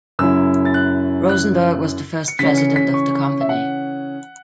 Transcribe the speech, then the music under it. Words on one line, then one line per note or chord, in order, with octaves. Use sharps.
Rosenberg was the first president of the company.
F#2 C#3 F#3 C#4 E4 E6
A6
F#6
F#6
C#7
C#3 E3 C#4 B6
C#7
B6
C#6
E5
F#5